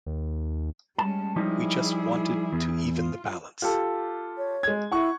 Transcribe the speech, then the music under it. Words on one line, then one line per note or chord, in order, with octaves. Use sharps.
We just wanted to even the balance.
D#2
G3 G#3 C#4 A5
F3 G3 D#4 E4 G#4
E2
F4
F4 G4 A4
C#5
G#3 G#6
E4 F#5 C#6